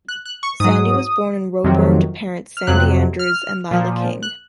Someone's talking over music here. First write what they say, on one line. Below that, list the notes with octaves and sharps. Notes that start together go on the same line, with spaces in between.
Sandy was born in Roebourne to parents Sandy Andrews and Lila King.
F#6
F#6
C#6
G#2 F#3 D#6
F2 C3 D#3 F#3
F6
F2 C3 F#3 F#6
F6
A#2 F3
F#6